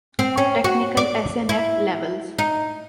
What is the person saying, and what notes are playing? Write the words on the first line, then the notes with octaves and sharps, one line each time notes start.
Technical SNF levels.
C4
C#4
F#4
D5
E4
D#4